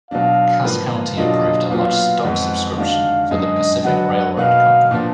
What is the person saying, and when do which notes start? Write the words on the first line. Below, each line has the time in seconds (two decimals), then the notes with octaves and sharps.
Cass County approved a large stock subscription for the Pacific Railroad Company.
0.11 B2 F#3 D4 F5
0.64 G#2 F3 A#3 F4 B4
1.17 B2 F#3 A#3 D4 F4 D#5
1.70 A#2 F#3 B3 F4 F5
2.24 F2 D#3 G#3 B3 F#5
2.77 D#3 G#3 D4 F#4 F5
3.30 F#2 D3 G#3 D#4 D#5
3.84 F#3 D4 F#4 B4 D#5 F#5
4.37 B2 A#3 D#4 F#4 B4 F5
4.91 A#2 F3 B3 D4